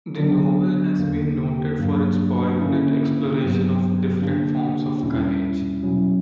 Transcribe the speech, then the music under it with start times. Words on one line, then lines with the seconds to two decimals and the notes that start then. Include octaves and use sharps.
The novel has been noted for its poignant exploration of different forms of courage.
0.17 D3 F#3 B3 D4
0.98 E2 D3 A#3
1.79 G2 F#3 A#3 D4
2.59 D3 A#3 C#4 E4
3.40 G2 F#3 B3
4.22 D3 A#3 D4
5.01 E2 B2 G3 C#4 E4
5.82 B2 F#3 C#4 E4